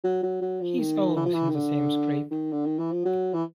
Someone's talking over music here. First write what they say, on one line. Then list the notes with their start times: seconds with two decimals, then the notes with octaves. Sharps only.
He's always in the same scrape.
0.04 F#3
0.23 F#3
0.41 F#3
0.61 F3
0.79 D#3
1.17 E3
1.25 F3
1.33 E3
1.49 D#3
1.55 D3
2.31 D#3
2.52 D3
2.66 D#3
2.79 E3
2.92 F3
3.05 F#3
3.34 E3